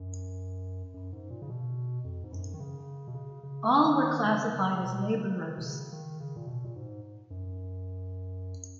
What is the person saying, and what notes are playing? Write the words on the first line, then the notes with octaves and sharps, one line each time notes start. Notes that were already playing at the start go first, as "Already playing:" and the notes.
All were classified as labourers.
Already playing: F#2
F#2
G#2
A#2
C#3
B2
F2
G#2
F#2
D#3
C#3
B2
C#3
C#3
D#3
C#3
C#3
C#3
B2
C#3
D#3
B2
C#3
D#3
C#3
A#2
B2
A#2
G#2
F#2